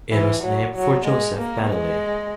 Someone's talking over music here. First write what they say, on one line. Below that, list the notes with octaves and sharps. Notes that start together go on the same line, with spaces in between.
It was named for Joseph Baddeley.
E3
F#3
F#3
G#3
A#3
G#3